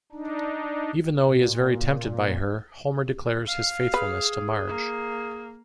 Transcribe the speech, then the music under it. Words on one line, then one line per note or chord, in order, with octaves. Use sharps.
Even though he is very tempted by her, Homer declares his faithfulness to Marge.
D4 D#4
A#2
F5
G#4 B4
A#3